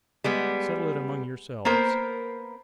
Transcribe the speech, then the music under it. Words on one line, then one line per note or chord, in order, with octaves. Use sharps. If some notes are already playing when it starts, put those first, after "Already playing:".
'Settle it among yourselves.
G3 G#3 B3
A#3 B3 A#4 C5